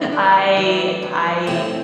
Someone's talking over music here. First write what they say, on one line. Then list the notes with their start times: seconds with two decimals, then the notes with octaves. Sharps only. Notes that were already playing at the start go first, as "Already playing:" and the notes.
I, I
Already playing: A2 C3 E3
0.12 D4
0.57 E3
1.02 G2
1.47 A2 C3 C4